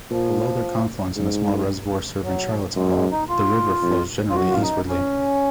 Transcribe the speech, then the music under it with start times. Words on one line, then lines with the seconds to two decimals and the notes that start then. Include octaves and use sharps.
Below their confluence in a small reservoir serving Charlottesville, the river flows generally eastwardly.
0.10 A#2 F3
1.17 G#2
2.23 F#3
2.76 F#2 G#3
2.85 F#3
2.94 G#3
3.12 D#4
3.29 F4
3.83 F2
4.30 F4
4.35 F#2 F#4
4.51 F4
4.62 D#4
4.88 C#4